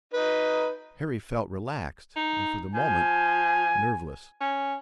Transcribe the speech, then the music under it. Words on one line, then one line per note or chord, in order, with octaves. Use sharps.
Harry felt relaxed and for the moment nerveless.
D#4 B4
D#4
F3 G#5
C#4